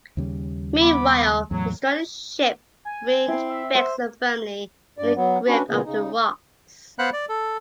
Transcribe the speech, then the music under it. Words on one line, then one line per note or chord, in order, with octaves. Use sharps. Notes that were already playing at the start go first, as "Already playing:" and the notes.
Meanwhile, the stranded ship remained fixed firmly in the grip of the rocks.
D#2 C#3 G3
B3 B5 D6
E2 A2 F#3
G#5
C4 E4
E5
C5
G2 D5
F#3 B3
C#4 D4 F#4 B4
A#2 C#3 E3 A#3 B3 G#4
C#3 D#4
B3 C5 F5 F#5 B5 F#6
D5
A4